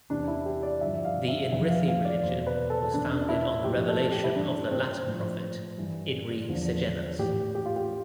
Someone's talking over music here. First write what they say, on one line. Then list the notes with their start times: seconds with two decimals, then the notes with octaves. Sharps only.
The Inrithi religion was founded on the revelation of the Latter Prophet, Inri Sejenus.
0.10 E2 C3 E3 D4
0.28 E4
0.46 G4
0.63 D5
0.81 G2 D3 F3 E5
1.05 F5
1.28 E5
1.52 F2 E3 E5
1.70 F5
1.88 F5
2.05 D5
2.23 E2 B2 C5
2.47 B4
2.70 A4
2.94 E2 B2 D4
3.11 D4
3.29 E4
3.64 A2 F3 G4
3.88 A4
4.12 G4
4.24 E4
4.35 G2 E3 D4
4.71 C4
5.06 A2 F3
5.78 G2 E3
6.48 E2 D3 F3
7.19 A2 E3 G4
7.55 G4
7.66 F4
7.76 G4